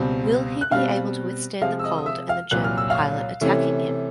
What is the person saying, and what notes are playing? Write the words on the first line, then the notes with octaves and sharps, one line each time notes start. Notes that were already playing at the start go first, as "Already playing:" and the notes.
Will he be able to withstand the cold and the German pilot attacking him?
Already playing: C#2 B2 G3 C4
F#6
B2 G3 C4 F5 F6
C3 F3 G#3 F5 F6
E6
D#5 D#6
D#6
E5 E6
F5 F6
C2 A#2 F#3 F#6
F6
E6
F5 F6
C3 E3 A3 C#4